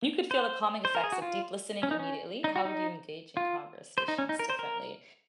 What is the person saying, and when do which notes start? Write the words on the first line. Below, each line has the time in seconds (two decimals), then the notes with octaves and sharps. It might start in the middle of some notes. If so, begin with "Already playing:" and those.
You could feel the calming effects of deep listening immediately. How would you engage in conversations differently,
0.31 C5
0.85 C5
0.95 A#4
1.04 G#4
1.12 F#4
1.22 F4
1.83 C#4
1.91 D#4
1.99 C#4
2.44 D#4
2.56 F#4
2.65 D#4
3.37 F4
3.98 C5
4.08 D#4
4.18 C#4
4.29 D#4
4.39 A#4
4.50 C5
4.59 A#4